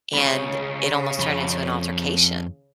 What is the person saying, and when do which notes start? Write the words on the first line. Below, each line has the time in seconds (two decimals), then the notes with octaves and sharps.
and it almost turned into an altercation
0.13 C#2 C#3 B5
1.19 F2 B5